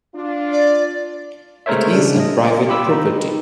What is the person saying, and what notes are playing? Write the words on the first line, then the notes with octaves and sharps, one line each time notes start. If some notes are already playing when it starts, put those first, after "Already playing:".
It is on private property.
D4 F4
D5
G#3 A3 A#4 C5 C#5 E5
C#3 D4
D#5
F4 G4 B5 E6
D#4